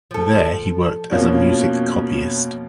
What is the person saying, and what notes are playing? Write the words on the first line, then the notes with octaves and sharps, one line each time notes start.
There he worked hard as a music copyist.
F3 A4
F2 B2 F3 A#3 C#4